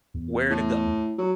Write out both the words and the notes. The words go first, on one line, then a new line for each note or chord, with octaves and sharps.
where to go,
E2
A2
F#3